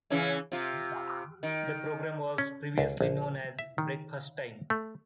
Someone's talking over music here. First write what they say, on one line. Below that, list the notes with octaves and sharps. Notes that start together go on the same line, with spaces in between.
The programme was previously known as "Breakfast Time".
C#3 E3 C#4
C3 F4
D#3
C#4
C#2
A#1
E5
D#3
A3